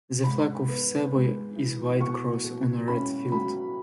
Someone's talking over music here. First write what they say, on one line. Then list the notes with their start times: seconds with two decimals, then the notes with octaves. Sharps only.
The flag of Savoy is white cross on a red field.
0.24 G#2 B5
0.69 B3
1.13 G#3
1.56 E3
2.00 B2 C#6
2.44 B2
2.88 C#4 B5
3.32 F#3 B5